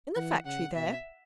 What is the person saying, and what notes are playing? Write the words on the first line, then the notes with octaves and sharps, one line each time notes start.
In the factory there?'
E3 F#5
C#3 F#5
B2 E5